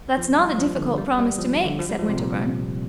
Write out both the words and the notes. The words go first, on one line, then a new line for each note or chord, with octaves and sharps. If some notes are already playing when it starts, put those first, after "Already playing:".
"That's not a difficult promise to make," said Winterbourne.
F3
G3
F3
D3
G3
G3
F3
D3
F3
G3
F3
C3
A#2